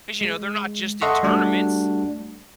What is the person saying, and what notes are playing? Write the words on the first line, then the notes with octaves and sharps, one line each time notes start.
'cause, you know, they're not just in tournaments.
G#3
A4 D#5 E5 F#5 C6 C#6
G3 A3 D4 F#4